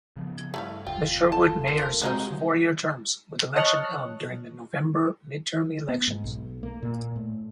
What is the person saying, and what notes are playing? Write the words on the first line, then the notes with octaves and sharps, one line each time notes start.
The Sherwood Mayor serves four-year terms, with election held during the November midterm elections.
C#3 F3 B3
G2 A3 E4 F5
F1 D2 F4 G5
A4 A5
F4 A#4
C3 F3 F#3 G#3 D#4 C6
C#5 D#5 A5 C#6 F6 F#6
B3
G#2
B1
A#3
A#2
A2